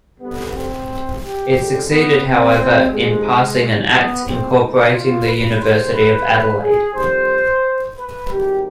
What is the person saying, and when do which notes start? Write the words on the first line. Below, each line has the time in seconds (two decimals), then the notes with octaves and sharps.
It succeeded, however, in passing an act incorporating the University of Adelaide.
0.19 F2 D3 G3 B3
0.53 C4
1.20 G4
1.55 F2 D3 G#3
1.88 B3
2.22 C4
2.56 C4
2.89 F2 C3 D#3 G#3
3.90 B3
4.24 G#1 G#2 F3 G#3 C4
4.58 D#4
4.92 F4
5.26 B4
5.59 G2 D#3 G#3 C5
5.93 B4
6.61 G#4
6.94 F2 D#3 G3 C5
7.96 B4
8.29 G#1 G#2 D#3 G3 G4